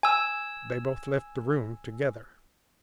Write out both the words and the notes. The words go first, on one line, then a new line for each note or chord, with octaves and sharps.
They both left the room together.
G#5 E6